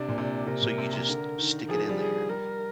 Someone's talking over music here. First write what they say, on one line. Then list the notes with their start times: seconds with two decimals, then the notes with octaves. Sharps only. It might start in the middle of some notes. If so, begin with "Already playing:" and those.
So you just stick it in there,
Already playing: C3 D4
0.09 A#2
0.18 C3
0.47 C3 A#4
0.62 A#2
0.78 C3
0.93 C3
1.08 D3
1.38 D#3
1.69 F3 G#4
1.89 G3
2.00 G#4
2.29 G3 A#4